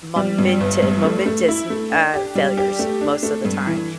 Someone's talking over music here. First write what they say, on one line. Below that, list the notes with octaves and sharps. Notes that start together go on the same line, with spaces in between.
momente momentous, uh, failures most of the time
G3
G2
G1
G2
A3
A3
E4
A3
D4
G4
G3
G4
A3
D4
A3
G2
E3